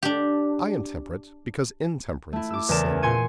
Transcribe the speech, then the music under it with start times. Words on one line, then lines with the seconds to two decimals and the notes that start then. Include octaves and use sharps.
I am temperate because intemperance is sin.
0.03 D4 G4
2.33 A3 E4
2.50 D6 E6
2.69 E2 C#3 A4 A#4 D5 E7
2.88 C#4
3.02 A#2 G#5 C6 G#6 C#7 D#7